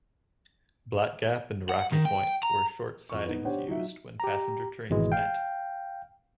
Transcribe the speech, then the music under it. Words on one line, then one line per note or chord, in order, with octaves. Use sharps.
Black Gap and Rocky Point were short sidings used when passenger trains met.
F#5
D#3
G5
A#5
F2 C#6
B3 D#4
D4 G4 C5 C#5 F#5
F#3 D#4 F4 E5
G4 A#5
G#1 B2 E3 G#3
F5 G5